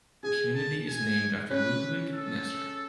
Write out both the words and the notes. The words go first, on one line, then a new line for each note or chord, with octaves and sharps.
The community is named after Ludwig Nesser.
G#4 G#5
A5
G#5
C#4 B4
A4